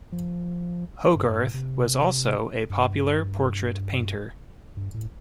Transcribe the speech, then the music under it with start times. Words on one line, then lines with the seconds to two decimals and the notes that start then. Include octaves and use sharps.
Hogarth was also a popular portrait painter.
0.12 F3
1.16 G2
1.29 G2
1.41 A2
1.54 C3
2.70 G2
4.77 G2
4.94 A2